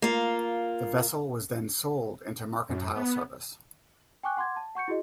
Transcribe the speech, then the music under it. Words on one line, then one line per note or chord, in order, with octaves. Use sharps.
The vessel was then sold into mercantile service.
A#3 F4
F#2
B3
G5 G#5 C#6 D6 F#6
F#5 C6 D6 G#6
A5
F#5 C#6 G6 C#7
E4 F#4 G#4 D#5